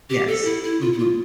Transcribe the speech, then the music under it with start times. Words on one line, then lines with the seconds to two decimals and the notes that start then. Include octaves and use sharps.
Yes, mhm.
0.10 G4
0.28 A4
0.45 E4
0.63 E4
0.81 F4
0.93 E4
0.98 F4